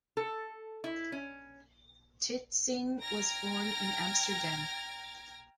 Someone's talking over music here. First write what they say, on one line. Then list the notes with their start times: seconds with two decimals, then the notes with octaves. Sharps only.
Titsingh was born in Amsterdam.
0.17 A4
0.84 E4
1.12 C#4
3.01 G5 A#5 F6 G#6 A#6 D7